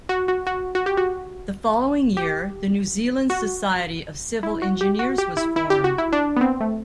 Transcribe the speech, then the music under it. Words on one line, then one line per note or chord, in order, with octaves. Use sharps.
The following year the New Zealand Society of Civil Engineers was formed.
F#4
F#4
F#4
F#4
G4
F#4
G4
F#4
E4
F#4
G4
F#4
G4
E4
E4
G4
F#4
E4
D4
B3
C4
A3